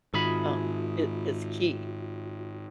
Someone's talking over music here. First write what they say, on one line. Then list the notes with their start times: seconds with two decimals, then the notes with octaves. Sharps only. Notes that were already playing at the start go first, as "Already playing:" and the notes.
um, i is key.
0.14 G#2 D#3 F4 F#4 G#4 E5 B5